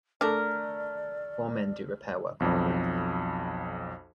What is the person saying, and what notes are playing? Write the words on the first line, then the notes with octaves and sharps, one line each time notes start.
Four men do repair work on a roof.
A3 D4 A#4 D5 F6
B1 F2